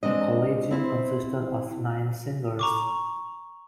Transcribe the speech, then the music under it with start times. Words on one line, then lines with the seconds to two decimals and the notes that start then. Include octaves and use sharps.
The Collegium consisted of nine singers.
0.03 G#3 C4 D4 D#5
0.71 C4 E4 C5
2.59 A#5 C#6 D6